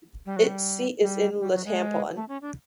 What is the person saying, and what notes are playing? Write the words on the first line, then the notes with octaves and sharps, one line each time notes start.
Its seat is in Le Tampon.
G3
F#3
G3
G3
G3
F#3
G#3
A3
C#4
D4